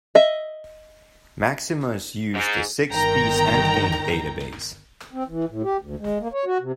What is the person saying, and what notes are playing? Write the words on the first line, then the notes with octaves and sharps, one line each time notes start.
Maximus used a six piece endgame database.
D#5 E5
G#2
G1 D#3 A#4 G5 A#5
C4
E3
A2
G4
D2
G#3
A#3
C#5
F#4
C3